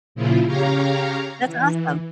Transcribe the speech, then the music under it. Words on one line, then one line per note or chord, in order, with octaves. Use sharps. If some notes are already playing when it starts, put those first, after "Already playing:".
That's awesome,
A#2 C#3 F3 E4 F4
C#3 G4 C#5 F5 A#5
E3